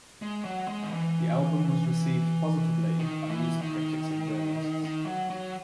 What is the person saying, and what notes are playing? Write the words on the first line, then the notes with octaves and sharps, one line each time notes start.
The album was received positively by music critics and journalists.
G#3
F#3
G#3
D#3
E3
D#3
E3
D#3
D#3
F#3
F#3